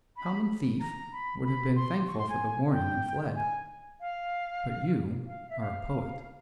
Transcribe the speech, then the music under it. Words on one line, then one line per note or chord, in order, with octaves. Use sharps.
A common thief would have been thankful for the warning and fled; but you are a poet.
B5
A#5
B5
B5
C6
C#6
C6
G#5
G5
G#5
F5
F5
E5
F5